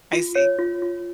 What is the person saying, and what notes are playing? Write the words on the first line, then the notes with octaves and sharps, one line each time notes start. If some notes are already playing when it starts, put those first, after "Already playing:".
I see.
F4
C#5
F4
F4